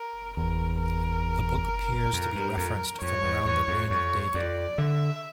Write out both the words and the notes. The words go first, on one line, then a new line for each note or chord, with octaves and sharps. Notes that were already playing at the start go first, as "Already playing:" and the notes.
The book appears to be referenced from around the reign of David.
Already playing: A#4
E2 A#4
A#4
F2
G2
F2
F2 C#5
E2
E2 C#5
F2
F2 C#5
F2 D5
D3 E5